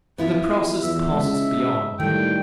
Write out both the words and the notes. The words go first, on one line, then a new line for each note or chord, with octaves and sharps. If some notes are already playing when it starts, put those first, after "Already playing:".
For the process passes beyond.
B3 E4 F4
E2 E5
C#3 G#3
A2 D#3 G3 A3 G5